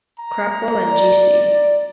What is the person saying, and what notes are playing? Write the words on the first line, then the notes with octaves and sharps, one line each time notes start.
Crapo and G.-C.
A#5
D5